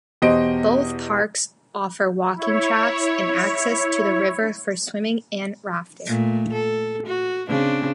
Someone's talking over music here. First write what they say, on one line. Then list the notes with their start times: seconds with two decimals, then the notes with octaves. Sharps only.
Both parks offer walking tracks, and access to the river for swimming and rafting.
0.22 E2 B2 G4 C5 D#5 D7
2.35 E4 C#5
6.06 A#2 A3
6.52 A4
7.06 F#4
7.48 C#3 C4 D4